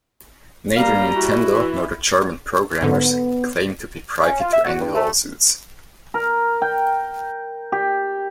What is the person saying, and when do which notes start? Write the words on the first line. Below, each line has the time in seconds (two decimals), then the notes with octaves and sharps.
Neither Nintendo, nor the German programmers claim to be privy to any lawsuits.
0.76 G3 A#3 F5 A#5
1.15 E4 F#4
1.53 E3
2.83 G#2 D3 B3
4.24 C#4
4.40 F4
4.53 E5
4.65 F#4
4.80 G2
4.94 A3
6.14 A#4
6.62 G5
7.72 G4